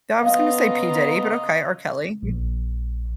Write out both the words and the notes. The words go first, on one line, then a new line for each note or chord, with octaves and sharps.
I was gonna say P Diddy, but okay, R. Kelly.
C#3 B3 F4 D#5 F5 A#5
A#1